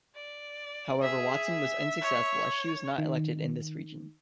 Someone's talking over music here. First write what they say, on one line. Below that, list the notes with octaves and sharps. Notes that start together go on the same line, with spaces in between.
However, Watson was unsuccessful as she was not elected in this region.
D5
G#4 E5
C#5
D#3